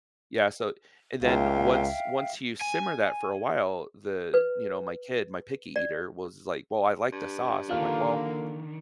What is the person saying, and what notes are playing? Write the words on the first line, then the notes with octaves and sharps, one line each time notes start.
Yeah, so, and then once once you simmer that for a while, the, you know, my kid, my picky eater was, like, "Well, I like the sauce," I'm, like, "Well,
C#2 E5 F5 G5
G#5
B4
D5
G2
D3 D#3 A#3 D4 F4 F5 F6